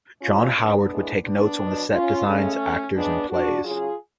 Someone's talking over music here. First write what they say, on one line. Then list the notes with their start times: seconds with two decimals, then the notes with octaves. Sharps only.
John Howard would take notes on the set designs, actors, and plays.
0.22 B2 F#3 C#4 F4
0.57 B3 D4
0.91 A2 G#3
1.25 B3 D4
1.59 B2 F#3
1.93 C#4 F4
2.27 C#3 G#3 A3 C#4
2.95 C#3 G#3 B3 D4
3.30 D4 F#4
3.63 C#3 F#3 F4 G#4